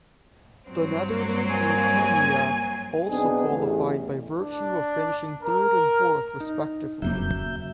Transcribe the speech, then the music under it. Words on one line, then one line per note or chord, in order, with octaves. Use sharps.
The Netherlands and Kenya also qualified by virtue of finishing third and fourth respectively.
G2 F#3 C4
A#3 G#5
B1 B3 C4 D4 D#4 G#4
A1 E2
D4
A#4
D#4
D#1 F2 C#3 F#3 A#3 E5 G6